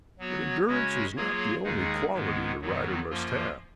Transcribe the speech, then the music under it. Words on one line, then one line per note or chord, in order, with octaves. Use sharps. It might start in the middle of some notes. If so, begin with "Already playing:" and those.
But endurance was not the only quality the rider must have.
F#3 B3 F#4 C#5
C#3 G#3 C#4 F#4 C#5
F#3 A#3 F4 G#4 C#5
D#2 D#3 G#3 D#4 G#4
G#2 D#3 G#3 B3
F2 D#3 F#3 B3
F#2 F3 A#3 F4